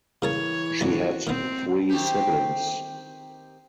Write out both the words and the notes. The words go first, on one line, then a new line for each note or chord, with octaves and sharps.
She had three siblings.
C#3 E3 A#4 C#5 A5
F2 D3 F#4
D#3 B3 C4
D#3 C4 G4